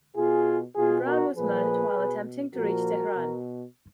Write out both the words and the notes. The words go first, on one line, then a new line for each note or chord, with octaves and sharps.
Browne was murdered while attempting to reach Tehran.
B2 F4 G#4
B2 F4 G#4
F#4 A#4
A#2 F3 G#4 B4
B2
A#2 F3 F#4 A#4
B2